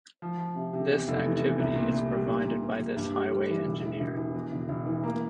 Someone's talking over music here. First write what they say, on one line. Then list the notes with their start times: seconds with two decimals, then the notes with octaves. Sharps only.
This activity is provided by this highway engineer.
0.22 F3
0.38 F3
0.56 C3
0.73 C3
0.90 E2
1.08 F1
1.25 E3
1.42 E2
1.59 C2
1.76 A#2
1.93 C2
2.11 G3
2.28 A#2
2.45 A#2
2.63 A#2
2.79 A#2
2.96 G2
3.14 G3
3.32 G3
3.49 E3
3.66 E1
3.83 E3
4.00 E1
4.17 E3
4.34 E2
4.52 E1
4.69 E1
4.86 E3
5.04 A#3